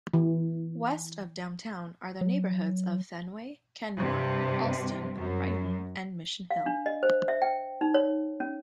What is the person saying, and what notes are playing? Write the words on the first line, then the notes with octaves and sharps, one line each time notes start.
West of downtown are the neighborhoods of Fenway Kenmore, Allston, Brighton and Mission Hill.
E3
F#3
G2 C3
F#2
F5
D4
D#5
C5
E5
G5
D#4
C#5
C#4